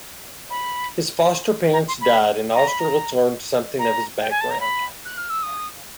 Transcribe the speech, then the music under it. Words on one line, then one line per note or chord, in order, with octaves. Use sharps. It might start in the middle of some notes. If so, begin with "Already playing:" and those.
His foster parents died, and Austerlitz learned something of his background.
B5
A#5
C6
B5
A#5
B5
A#5
A#5
G5
G#5
A5
A#5
B5
F#6
F6
E6
D#6